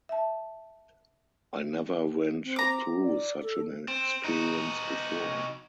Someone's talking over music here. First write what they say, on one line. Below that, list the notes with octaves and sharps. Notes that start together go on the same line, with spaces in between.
I never went through such an experience before.
E5 A5
C4
A#5 D6
D5
A4
C4
D#4 F#4